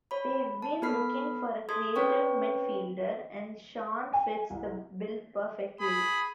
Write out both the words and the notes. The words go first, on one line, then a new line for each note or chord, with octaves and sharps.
We've been looking for a creative midfielder and Sean fits the bill perfectly.
C#5 B5
A5
B3 A4 B5 F6 C7
G#4 A4 C6 D#6 G#6
C4 C#4 B4 C#5 G5 C#6
G#5
C2
G#4 B5